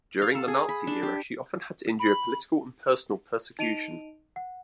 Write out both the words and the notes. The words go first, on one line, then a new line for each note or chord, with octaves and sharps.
During the Nazi era she often had to endure political and personal persecution.
F5
A4
G#4
B5
D4
G4
B5
D#4 D#5 D7 D#7 F7
F#5